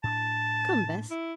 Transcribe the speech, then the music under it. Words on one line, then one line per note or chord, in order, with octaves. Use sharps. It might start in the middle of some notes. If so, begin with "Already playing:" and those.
Come, Bess.
A2 D4 A5
E4